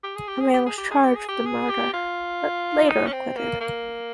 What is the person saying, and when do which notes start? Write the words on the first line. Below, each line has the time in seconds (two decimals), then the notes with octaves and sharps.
A man was charged with the murder but later acquitted.
0.03 G4
0.16 G#4
0.28 G4
0.40 G#4
0.54 G4
0.66 G#4
0.78 G4
0.91 G#4
1.03 G4
1.16 G#4
1.28 G4
1.46 G#4
1.69 G4
1.93 F4
2.88 D#4
3.07 C#4
3.13 C4
3.37 A#3
3.61 A#3